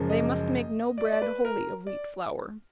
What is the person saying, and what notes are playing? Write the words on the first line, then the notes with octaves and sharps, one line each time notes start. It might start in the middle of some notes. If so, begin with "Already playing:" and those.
They must make no bread wholly of wheat flour.
Already playing: F#1 F#2 F3 G#3
D#5
D5
D#5
D5
B4
A#4
D5